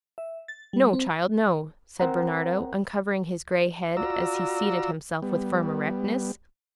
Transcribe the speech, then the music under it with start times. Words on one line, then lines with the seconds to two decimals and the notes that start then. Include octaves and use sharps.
"No, child, no," said Bernardo, uncovering his grey head, as he seated himself with firm erectness.
0.18 E5
0.48 A6
0.73 G3
0.93 C4
2.00 C4 A#4 C5 F#5 G5 A#5
3.97 F4 F#4 D5 A#5 E6
5.22 G3 B3